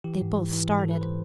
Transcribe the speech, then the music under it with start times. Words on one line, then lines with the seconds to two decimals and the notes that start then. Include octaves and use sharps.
They both started.
0.04 E3 G4
0.21 G#2
0.37 E3
0.53 E3
0.69 G#2
0.79 A4
0.85 E3
0.91 B4
1.01 E3 C5